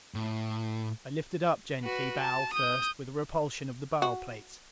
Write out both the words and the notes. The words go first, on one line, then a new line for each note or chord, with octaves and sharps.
I lifted up gently, bow first, with a repulsion of the bow plates.
A2
F#4 B4
A5
D#6 G6
F#4